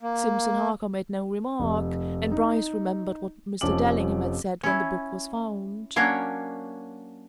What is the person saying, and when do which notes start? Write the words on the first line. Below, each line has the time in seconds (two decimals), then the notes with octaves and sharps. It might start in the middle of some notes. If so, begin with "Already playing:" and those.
Simpson Harker made no remark, and Bryce remembered what Mr. Dellingham had said when the book was found.
0.01 A#3
1.60 F1
2.32 D#4
3.61 F1 F3 C#4 A5 D6 F#7
4.63 C#4 E4
5.96 F#3 A#3 C#4 D4 C#5